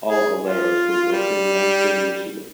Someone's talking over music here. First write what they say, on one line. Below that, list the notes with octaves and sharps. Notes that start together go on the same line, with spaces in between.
All Aleros were built in Lansing, Michigan.
G#4
F4
G3